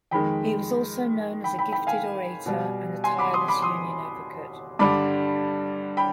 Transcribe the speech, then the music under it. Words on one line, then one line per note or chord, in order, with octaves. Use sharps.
He was also known as a gifted orator and tireless union advocate.
F2 D#3 G#3 G5 B5
G5 B5
G5 B5
G5 B5
F5 G#5
B2 G3
G#5 C6
B5 D6
C6 D#6
B5 D6
C6 D#6
G2 D3 G3 B5 D6
G5 B5